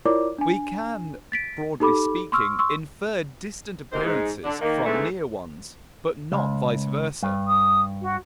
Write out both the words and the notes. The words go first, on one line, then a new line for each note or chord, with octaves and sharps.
We can, broadly speaking, infer distant appearances from near ones, but not vice versa.
E4 F4 A#4 C#5 D5 D6
D4 G#5
A6 B6 D7
D#4 G4 A4 B5 D6
C6 C#6 E6 F6
C6 C#6 E6
D2 C3 D#3 A#3 D#4 C5
G#2
D3 D4
D#3 A#3
G#2 D3 E3 A3
C#2
G2
D#6
F#4